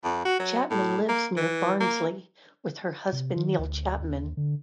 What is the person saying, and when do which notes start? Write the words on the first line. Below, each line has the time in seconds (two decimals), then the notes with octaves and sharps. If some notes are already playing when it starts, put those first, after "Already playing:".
Chapman lives near Barnsley with her husband Neil Chapman.
0.04 F2
0.25 F#4
0.40 F#3
0.70 A2
1.09 A#3
1.37 E3
1.81 A#3
3.13 C3
3.36 D#3
3.59 D2
4.00 D#2
4.37 D3